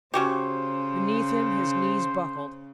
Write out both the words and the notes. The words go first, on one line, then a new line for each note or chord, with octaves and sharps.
Beneath him his knees buckled.
C#3 C#4 F#4 G4 C5